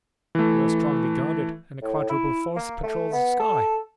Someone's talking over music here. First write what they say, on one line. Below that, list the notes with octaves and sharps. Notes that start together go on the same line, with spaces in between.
"You are strongly guarded and a quadruple force patrols the sky."
E3 A3
A2
E4
A#3
A3
B3
A4